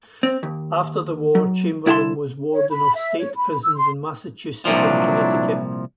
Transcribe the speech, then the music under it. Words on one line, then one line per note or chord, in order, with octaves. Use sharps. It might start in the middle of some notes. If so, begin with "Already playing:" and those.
After the war, Chamberlain was warden of state prisons in Massachusetts and Connecticut.
C4
D#2
F#3
C2 E4 F#5 A5 C6
C#5
B5
E5
C#5
B5
E6
C6
C2 A#2 F3 F#3 D4 E4